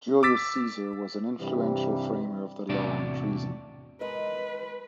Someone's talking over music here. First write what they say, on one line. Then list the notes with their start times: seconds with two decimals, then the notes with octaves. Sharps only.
Julius Caesar was an influential framer of the law on treason.
0.23 D6 E6 A6 B6
1.40 G2 C3 E3 G3
2.69 E2 A2 C3 D4 F#4 D5
4.01 G#3 A#4 B4 D#5